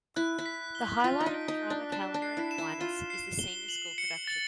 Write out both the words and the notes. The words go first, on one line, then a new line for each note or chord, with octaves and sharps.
The highlight of the Drama calendar at Aquinas is the senior school production.
E4 F#6
E4
B6
G7
F4 F#6
D4
D#4
D7
D#4
F#6
D4
D4 E7
D4
C7
E4
E7
E4
F4 G7
C7
G7
F#7
C#7
A6